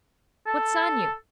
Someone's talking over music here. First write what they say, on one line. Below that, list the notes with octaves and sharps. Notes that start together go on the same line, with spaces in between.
What's on you?
A4